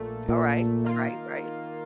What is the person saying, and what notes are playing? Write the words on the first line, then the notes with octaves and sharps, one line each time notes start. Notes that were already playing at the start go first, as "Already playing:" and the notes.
Alright. Right, right.
Already playing: A#1 A#2 A3
A#2
D#3 A#3 F4